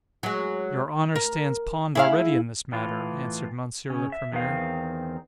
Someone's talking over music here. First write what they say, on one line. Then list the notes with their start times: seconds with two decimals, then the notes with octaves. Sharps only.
Your honour stands pawn'd already in this matter, answered Monsieur le Premier.
0.23 F#3 G#3
1.16 A#4
1.95 E4 G#4 F5
2.72 A2 E3 F4
3.90 C#3 C#4
4.12 E5
4.32 E2 D#3 C4 F5